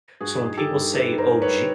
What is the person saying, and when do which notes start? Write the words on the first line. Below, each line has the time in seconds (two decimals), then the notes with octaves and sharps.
So when people say OG,
0.20 G2 F#4 G#4
0.39 D#3
0.45 G#4
0.57 D#3 G4 A4
0.75 G2
0.94 G2 A4 B4
1.11 D#3
1.18 A#4 C5
1.30 D#3
1.42 B4 C#5
1.48 G2